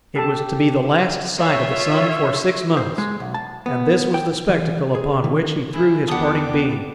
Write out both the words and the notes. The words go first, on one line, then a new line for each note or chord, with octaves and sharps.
It was to be the last sight of the sun for six months, and this was the spectacle upon which he threw his parting beam.
G4 A4 A5
F4 C#5 E5
C5
G#3
B1
A5
B3
G5
E3
G#4
D#3
E4 G#4
E2 B3 D4 F#5 G5 A5 D6 D#6